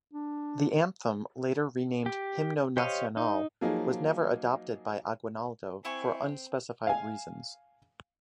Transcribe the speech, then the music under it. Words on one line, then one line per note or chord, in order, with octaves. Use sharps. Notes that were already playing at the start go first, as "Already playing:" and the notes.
The anthem, later renamed "Himno Nacional", was never adopted by Aguinaldo for unspecified reasons.
D4
G4
G4 C5 C#5 D#5 F5
D#4
F3 F#3 A#3 D#4 G#4
C4 E4 G#5 C#6
F5 G#5